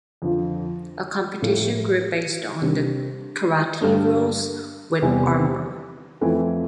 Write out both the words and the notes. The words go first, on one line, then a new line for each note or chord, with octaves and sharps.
A competition group based on the karate rules with armor.
F2 D3 F3
A2 F3 A3 E4
C3 G3 D4
G2 D3 G3 D4
E2 C3 E3 G3 C4
F2 E3 A3 C4 E4